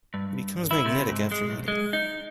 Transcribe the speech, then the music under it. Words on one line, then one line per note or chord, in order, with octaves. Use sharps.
It becomes magnetic after heating.
G2
E4
C3
G#2
G#3
B1
G#3
D#4